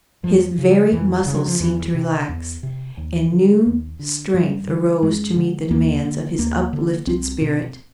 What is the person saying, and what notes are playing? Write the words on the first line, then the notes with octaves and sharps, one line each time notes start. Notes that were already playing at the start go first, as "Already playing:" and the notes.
His very muscles seemed to relax, and new strength arose to meet the demands of his uplifted spirit.
F2 F3
C#3
F2 E3
C#3
F#3
F3
E2 E3
C3
E2
C3
D#2
D3
D#2
D3
F#2 G3
D3
F#2 G#3
D3
D#2 A#3
D3
D#2 A#3
D3
C2 C4
B2